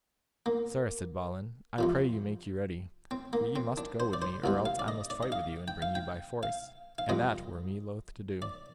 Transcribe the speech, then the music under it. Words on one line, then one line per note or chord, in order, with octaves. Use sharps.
Sir, said Balin, I pray you make you ready, for ye must go with me, or else I must fight with you and bring you by force, and that were me loath to do.
A#3
F2 C3 F3
C4
A#3
C4
D4
C5
D5
C5
C2 C3 G3
F5
D5
D#5
D5
D#5
F5
G5
F5
G5
F5
F5
F2 C3 G3 D#5
D5